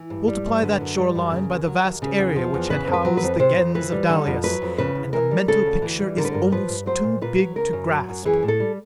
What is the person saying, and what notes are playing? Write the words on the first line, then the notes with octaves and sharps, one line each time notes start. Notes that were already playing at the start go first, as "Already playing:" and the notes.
Multiply that shoreline by the vast area which had housed the Gens of Dalis, and the mental picture is almost too big to grasp.
Already playing: E3
G2
G3
G2
D3 B4
F#2
G3
F#2
C#3
D#2
F#3
D#2
C#3
E2
F3
E2
C#3 B4
F2
B4
F#3
B4
F2
C3 C5
F2
E3 B4
G3
D3
F2
F#3 B4
F2
C#3 B4
E2
E3 A#4
G3
C#3 A4
D2
E3
G3
D3 A#4
B4
G2 A#4
F3 B4
G2
F#3 C5
A#2
A#2 B4
F#3
C#3 A#4
F#2
F#3
F#2
E3 G#4
A2
A4
G3